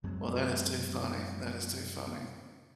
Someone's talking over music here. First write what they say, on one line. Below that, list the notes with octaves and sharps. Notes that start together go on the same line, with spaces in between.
Well, that is too funny, that is too funny.
F#2 F#3 G#3 C4